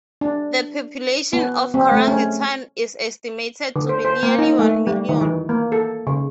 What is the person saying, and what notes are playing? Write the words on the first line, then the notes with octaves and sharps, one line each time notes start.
The population of Korangi Town is estimated to be nearly one million.
D4
B3
C4
A3
C#4
D3
C5
C5
A#3
D#4
A3
G3
D#3
E3
A#3
A4
C#3